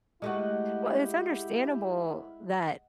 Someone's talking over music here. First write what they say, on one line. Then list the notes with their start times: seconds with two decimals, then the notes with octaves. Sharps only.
Well, it's understandable that,
0.22 G#3 A3 E4 F#4 G4 D#5 F#5